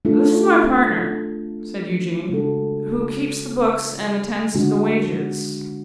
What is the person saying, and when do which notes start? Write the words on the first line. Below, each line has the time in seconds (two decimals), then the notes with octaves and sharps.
'This is my partner,' said Eugene, 'who keeps the books and attends to the wages.
0.05 A3 D4 F4 A4
2.30 C#3 G#3 D4 F#4 A4
4.55 D3 G#3 D4 F#4